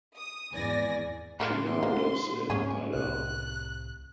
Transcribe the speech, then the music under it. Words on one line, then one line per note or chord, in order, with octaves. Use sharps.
She now lives in Idaho.
D#6
G#1 E2 E3 D5 G#5 A#6
A2 F3 A#4 B5 C6
A#2 D3 A#3 B3
G#2 G3 A#3 C#4 G#4
C2 A2 C3 F#6